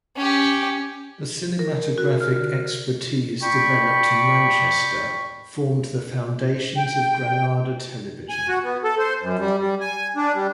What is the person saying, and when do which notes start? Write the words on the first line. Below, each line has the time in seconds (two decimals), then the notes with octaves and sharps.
The cinematographic expertise developed in Manchester formed the foundations of Granada Television.
0.16 C#4 G4
1.59 A#4
1.98 F#4
2.20 F6
2.36 D3
3.42 D5 G5 B5 C#6
6.76 G5
8.29 G#5
8.48 F#4
8.64 B3
8.84 A4
8.98 C5
9.22 F#2
9.39 G3
9.59 G3
9.81 G#5
10.16 D4
10.35 G3